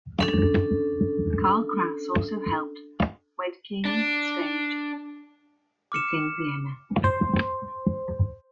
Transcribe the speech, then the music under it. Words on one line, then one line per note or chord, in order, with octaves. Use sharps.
Karl Kraus also helped Wedekind stage it in Vienna.
C#4 D4 A4
D4
D6 F6 C#7 E7
C5